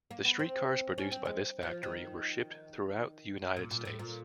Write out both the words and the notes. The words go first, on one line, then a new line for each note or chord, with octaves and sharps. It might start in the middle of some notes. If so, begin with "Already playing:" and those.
The street cars produced by this factory were shipped throughout the United States.
A#3
B3
C4
C#4
C4
G#3
F3
D#3
A#2
A#2
A2
A#2